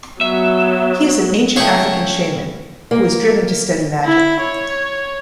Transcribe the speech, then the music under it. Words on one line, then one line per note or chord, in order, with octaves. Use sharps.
He is an ancient African shaman, who is driven to study magic.
F#3 B3 E5
C#3 A3 E4 G#4 C#5 F5 G5
A#3
E4
C#5